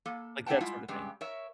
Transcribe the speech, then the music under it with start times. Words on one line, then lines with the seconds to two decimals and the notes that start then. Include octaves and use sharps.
like, that sorta thing,
0.06 A#3 A4
0.46 D4 E4 A#4 F#5 G5 A5
0.60 G3 G#3 E4 F4
0.88 G2 C#3 G#3 G4
1.21 A#4 C#5 E5